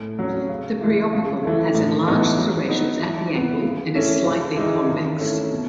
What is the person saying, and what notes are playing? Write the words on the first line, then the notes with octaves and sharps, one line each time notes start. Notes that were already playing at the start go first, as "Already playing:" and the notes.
The preopercle has enlarged serrations at the angle and is slightly convex.
Already playing: A2
F#3 C#4
C#3
E3 G#3
C#3
E3 A3 E4
A2
E3 B3 D#4
F#3
B3 D#4
E3
B3 E4
C#3
E3 A3 C#4 E4
C#3
E3 G#3 D#4
D#3
A3 C#4 E4
B2